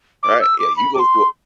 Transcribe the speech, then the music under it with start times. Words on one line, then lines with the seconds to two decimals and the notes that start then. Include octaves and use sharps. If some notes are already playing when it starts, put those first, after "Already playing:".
right. Yeah, you go through it
0.23 D6
0.41 E6
0.59 D6
0.77 B5
0.95 D6
0.99 C6